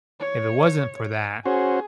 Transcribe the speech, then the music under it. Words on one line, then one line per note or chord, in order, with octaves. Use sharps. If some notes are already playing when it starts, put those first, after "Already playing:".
if it wasn't for that,
C#5
C#4 F#4 G#4 C5